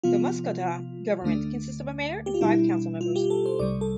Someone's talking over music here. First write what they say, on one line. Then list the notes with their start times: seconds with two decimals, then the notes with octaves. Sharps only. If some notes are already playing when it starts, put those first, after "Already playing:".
The Muscotah government consists of a mayor and five council members.
0.03 C3 F3 B3 F4
1.22 D2 D3 A3 D4
2.26 G4
2.34 F4
2.41 B2 G3 D4 E4
3.01 F4
3.16 G4
3.30 A4
3.46 C5
3.59 C2 C3 G3 D5
3.81 A4